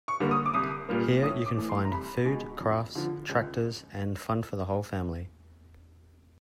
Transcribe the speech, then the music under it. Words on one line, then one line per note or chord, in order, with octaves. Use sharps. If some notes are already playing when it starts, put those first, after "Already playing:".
Here you can find food, crafts, tractors, and fun for the whole family.
C#6
D3 G3 A#3
D#6
D6
C2 D#6
A#2 G3 A#3
A2 D#6
D6
E3 A3
C6
A#5
C2 B5
B2 G#3
F2
D3 F3
C#2